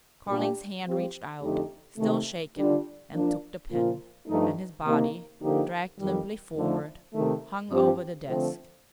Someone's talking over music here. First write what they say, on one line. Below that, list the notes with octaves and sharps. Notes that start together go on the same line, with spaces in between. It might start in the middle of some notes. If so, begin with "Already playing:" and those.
Carling's hand reached out, still shaking, and took the pen; and his body, dragged limply forward, hung over the desk.
A#2 G3 D4 G4
F3 C4 G4
F2 D3 A3 D#4 G4
C3 D#3 A3
D3 G3 D4 F4
F3 A#3 D4 F4
A#2 F3 A#3 F4
G2 F3 A3 D#4
C3 D#3 A#3
D3 F3 A#3 D#4 G4
F2 D#3 G3
F2 D3 F3 A3 D#4
C3 D#3 A3
G2 F3 C4 G4
D3 F3 A3 C4